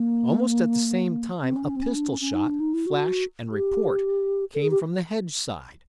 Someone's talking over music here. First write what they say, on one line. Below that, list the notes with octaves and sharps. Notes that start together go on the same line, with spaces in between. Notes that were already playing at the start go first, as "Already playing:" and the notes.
Almost at the same time a pistol-shot, flash and report, came from the hedge side.
Already playing: A#3
C4
C#4
D4
C#4
C4
C#4
D4
C#4
C#4
D#4
D4
D#4
E4
F#4
G4
A4
G#4
G4